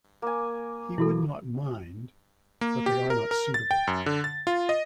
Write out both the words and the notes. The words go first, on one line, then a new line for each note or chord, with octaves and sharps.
He would not mind; but they are not suitable.
A#3 G#5
B2 E3 E4 F#4 A4
A#3
G4
A#4
A#4
A6
G5
F#2
D3
A6
F4
D#5